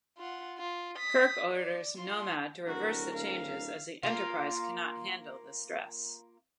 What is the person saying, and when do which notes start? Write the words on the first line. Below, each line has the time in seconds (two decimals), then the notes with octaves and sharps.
Kirk orders Nomad to reverse the changes, as the "Enterprise" cannot handle the stress.
0.18 F4 F#5
0.58 F4
0.97 D#6 B6
1.53 D5
1.97 F4 C6
2.67 D1 F#4 A#4
3.14 F5
4.03 A#3 F4